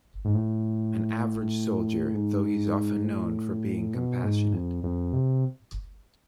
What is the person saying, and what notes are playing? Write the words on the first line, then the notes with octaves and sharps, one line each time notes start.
An average soldier though he's often known for being compassionate.
G#2
A2
G#2
A2
B2
G#2
F2
F2
C3